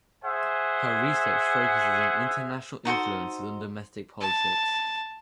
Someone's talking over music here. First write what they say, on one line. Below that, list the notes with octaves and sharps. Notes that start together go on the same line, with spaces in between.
Her research focuses on international influences on domestic politics.
G#4 C5 E5 F#5 G#5
D#4 F#4 A4 C5
A5